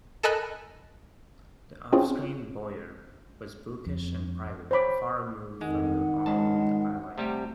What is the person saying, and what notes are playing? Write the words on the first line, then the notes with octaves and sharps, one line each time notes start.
The offscreen Boyer was bookish and private, far removed from the Hollywood high life.
A4 A#4 D#5 G#5 B5 F#6
C4 C#4 F4 G#4 C#5
F2
C5 C#5 B5 D6
F2 D#3 G#3 F#5
G#1 C#3 G#3 A5
C3 G3 A3 G4